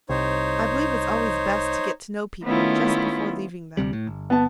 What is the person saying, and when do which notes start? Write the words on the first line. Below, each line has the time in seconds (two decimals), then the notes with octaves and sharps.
I believe it's always best to get to know people just before leaving them.
0.09 C2 D#4 C5 C#5
2.44 D#3 A3 B3 C#4 E4 F4
3.77 D2 C3 G3
3.93 A2
4.07 G1
4.30 B3 A5